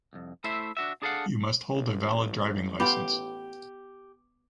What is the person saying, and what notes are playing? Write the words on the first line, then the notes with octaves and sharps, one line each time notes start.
You must hold a valid driving license.
C2 F2
A3 E4 C5 E5
D4 F#4 E5
D4 G#4 A4 C5 F5 F#5
A1
B3 F4 G4 G5 B5